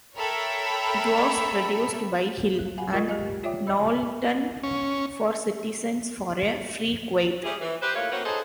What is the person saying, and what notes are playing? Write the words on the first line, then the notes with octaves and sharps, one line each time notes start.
It was produced by Hill and Knowlton for Citizens for a Free Kuwait.
A4 A#4 C#5 E5 G5 B5
F#3
F5 F#5 G#5 B5
G#3 F4 A#4 D#5 C#6 G#6
G4 G#4 D#5 F5 G#5
F4 C#5 D5 E5 G5 D6
D#5 B5 E6
C#4
G3 A3 G4 G#4
E3
G4 B4 C5
A2 A3 A#3 F4 C#5
A#3 C4 C#4 F#4 B4
D#4 G#4 A4 C5 C#5 D#5